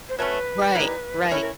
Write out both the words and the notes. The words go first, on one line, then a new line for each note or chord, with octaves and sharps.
Right, right.
C5
F#3 A3 C#4 B4
E3 G3 A#3 D#4
E3 A3 C#4 E4 A#4
A#4